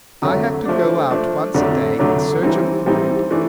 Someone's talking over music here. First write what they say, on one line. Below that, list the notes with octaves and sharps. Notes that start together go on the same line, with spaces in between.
I had to go out once a day in search of food.
F2 D3 F#3 A3
F3 A3 D4
F3 A3 D4
F2 D3 F#3 A3 D4
F2 D3 F#3 A3 D4
E3 G3 C4 D#4
E3 G3 C4 D#4
E3 A3 D4